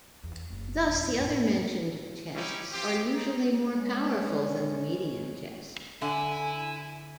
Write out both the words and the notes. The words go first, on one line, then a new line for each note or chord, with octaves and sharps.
Thus the other mentioned tests are usually more powerful than the median test.
E2
F#1
B1 F2
F2 A2
D#3 F3
C#4 D#4 E4 G4
C4 F4 G4
D#4
G#3 C#4
D3 E4 G#5